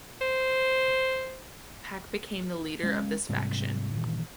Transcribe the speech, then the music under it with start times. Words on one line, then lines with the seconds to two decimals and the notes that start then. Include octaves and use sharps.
Pak became the leader of this faction.
0.21 C5
2.83 G#3 C#4
3.29 G#2 C3 G3
3.94 G2 A#2 D#3 E3